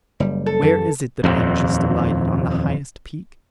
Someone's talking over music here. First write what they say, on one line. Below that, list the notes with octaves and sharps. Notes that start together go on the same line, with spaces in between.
Where is it that I have just alighted?--on the highest peak?
F#1 G3
A4
F#2 E3
D#1 G#1 F2